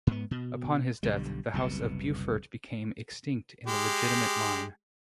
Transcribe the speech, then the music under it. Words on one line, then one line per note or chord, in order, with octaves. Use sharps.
Upon his death the house of Beaufort became extinct in the legitimate line.
G#2 B3
B2
B1 D3 G3
F#1 C2 B2
G#3 G4